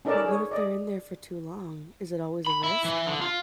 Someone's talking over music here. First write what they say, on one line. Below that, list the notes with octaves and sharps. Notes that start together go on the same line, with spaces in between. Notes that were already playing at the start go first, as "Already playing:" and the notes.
But what if they're in there for too long? Is it always a risk?
C#4 D#4 A4 A#4 D5 A5
G#4 C#5
D5 D#5
B5
E4
E3
D3
F4